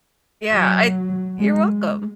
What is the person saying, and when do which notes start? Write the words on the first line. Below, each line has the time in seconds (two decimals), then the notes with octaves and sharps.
Yeah. I d you're welcome.
0.53 F#3
1.39 G#3